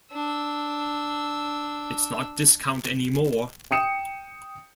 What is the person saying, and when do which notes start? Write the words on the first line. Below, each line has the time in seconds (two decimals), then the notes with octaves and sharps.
It's not discount anymore!
0.12 D4 E6
3.71 G5 D#6 C#7 E7